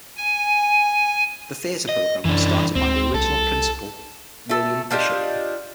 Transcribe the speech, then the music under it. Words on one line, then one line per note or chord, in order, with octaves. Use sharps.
The theatre program was started by the original principal William Bishop.
G#5
D#5
F#2 E3 D4
D2 C4
C2 A4
A3 A4
D4 F4 G4 D#5